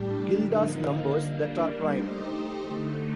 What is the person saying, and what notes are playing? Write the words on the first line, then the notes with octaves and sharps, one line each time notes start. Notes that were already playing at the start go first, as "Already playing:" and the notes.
Gilda's numbers that are prime.
Already playing: A2 G3 D4 G4
D3 F3 A#3 D#4
G3 A#3 D4
A3 D#4 G4 C5 D#5
D3 A3 D#4